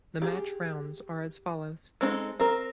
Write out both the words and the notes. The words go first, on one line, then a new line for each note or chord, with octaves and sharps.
The match rounds are as follows.
G4 G#4
G#3 C4 D4 D#4 A4
C4 A#4